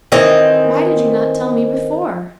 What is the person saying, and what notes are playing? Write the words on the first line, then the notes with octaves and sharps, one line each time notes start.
Why did you not tell me before?'
D#3 E3 C4 D#5